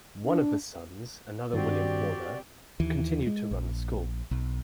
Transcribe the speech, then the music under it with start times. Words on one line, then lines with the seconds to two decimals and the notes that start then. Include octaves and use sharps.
One of the sons, another William Horner, continued to run the school.
0.24 D4
1.53 G2 D#3 C4 F#4 G4 D5
2.80 D#2 E3
3.27 G#3
3.51 A#1
4.31 B1